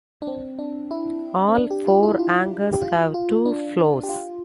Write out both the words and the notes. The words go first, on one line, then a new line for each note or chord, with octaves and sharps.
All four anchors have two floors.
D4
C4
D4
E4
C4
D4
G4
F4
E4
F4
G4
F4
F4
D4
G4
F4